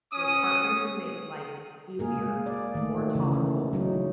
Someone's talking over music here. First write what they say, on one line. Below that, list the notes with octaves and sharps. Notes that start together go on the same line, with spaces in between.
your partner should make life easier, more tolerable,
C#4 D#6
G#3 A#3 G#4 A#4
D5
D#3 A3
C#3 E3
F#3 D#4